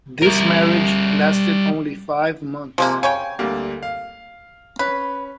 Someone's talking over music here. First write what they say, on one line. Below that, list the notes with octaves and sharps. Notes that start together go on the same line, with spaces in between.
This marriage lasted only five months.
G3 A#4
C3 F3 G#3 A#3
C#3 C#5 G5 G#5
D2 G3 A#3
F5
C#4 B4